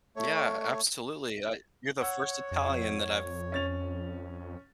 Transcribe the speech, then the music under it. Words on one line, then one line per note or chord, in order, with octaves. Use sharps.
Yeah, absolutely, I you're the first Italian that I've
A3 C#5
C#5 F#5 E6
F2
C#4 A6 F7